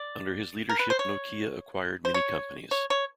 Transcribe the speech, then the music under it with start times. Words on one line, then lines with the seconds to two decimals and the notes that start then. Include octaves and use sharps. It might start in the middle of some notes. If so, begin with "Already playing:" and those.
Under his leadership Nokia acquired many companies.
Already playing: D5
0.69 A#4
0.79 B4
0.90 C5
0.99 C#5
2.05 C5
2.14 C#5
2.71 C#5
2.90 C#5